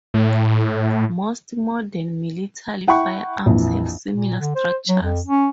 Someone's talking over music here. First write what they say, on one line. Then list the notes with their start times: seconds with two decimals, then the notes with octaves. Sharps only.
Most modern military firearms have similar structures.
0.14 A2
2.88 E4 F#5 G5 B5 C#6
3.46 A#1 F2 E3
4.13 A#2
4.40 D3
4.55 C5
4.89 F#3
5.02 F2
5.26 C#4